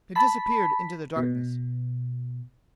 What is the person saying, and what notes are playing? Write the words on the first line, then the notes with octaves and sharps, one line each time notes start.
They disappeared into the darkness.
A5 B5 B6
B2